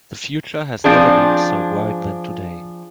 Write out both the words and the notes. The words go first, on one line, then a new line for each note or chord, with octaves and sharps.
The future has never been so bright than today.
F3 C4 D4 G#4